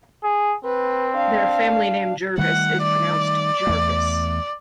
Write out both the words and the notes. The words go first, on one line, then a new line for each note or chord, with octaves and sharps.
Their family name Jervis is pronounced 'jarviss'.
G#4
C4 B4
D4 F5
D#3 G3 A3 F#5
D5
E2 A3